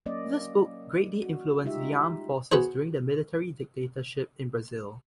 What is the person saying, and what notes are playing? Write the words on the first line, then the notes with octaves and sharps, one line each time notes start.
This book greatly influenced the armed forces during the military dictatorship in Brazil.
F#3 A#3 C#4 D5 D#5
F#4
G3 G#3 D#4 F4 G4 E5
B3 F#4 G#4 C5